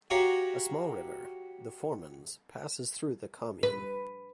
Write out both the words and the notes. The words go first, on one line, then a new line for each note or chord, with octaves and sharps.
A small river, the Formans, passes through the commune.
F#4 G4 C#5 F5 A#5
B4